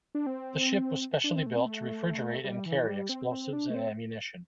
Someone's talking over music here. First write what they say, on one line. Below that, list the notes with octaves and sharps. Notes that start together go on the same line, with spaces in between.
The ship was specially built to refrigerate and carry explosives and ammunition.
D4
C4
D4
C4
A3
C4
A3
G3
E3
E3
G3
C4
C4
D4
A3
C4